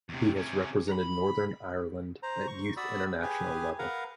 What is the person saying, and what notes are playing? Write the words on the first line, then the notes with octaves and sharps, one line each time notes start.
He has represented Northern Ireland at youth international level.
E2 C3
C3 C#4
A#5 B5
C5 A#5
C#6
F#4 D5 B5 D#6 E6
G4 G#4 B4 G#5
A#4 B4 F5 F#5 A#5